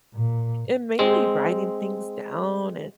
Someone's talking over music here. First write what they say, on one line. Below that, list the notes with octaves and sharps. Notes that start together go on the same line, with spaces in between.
and mainly writing things down, and
A#2
G#3 C4